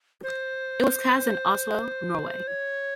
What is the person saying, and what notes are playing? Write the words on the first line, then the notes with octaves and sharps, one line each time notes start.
It was cast in Oslo, Norway.
C5
C#5